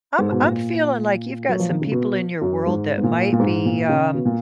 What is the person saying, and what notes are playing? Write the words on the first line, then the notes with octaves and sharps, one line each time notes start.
I'm I'm feeling like you've got some people in your world that might be, um,
G#2
B2
A#2
F#3
F3
D#3
C#3
B2
F#2
G#2
G#2
A#2
A#2
G#2
A#2
C#3
B2
A#2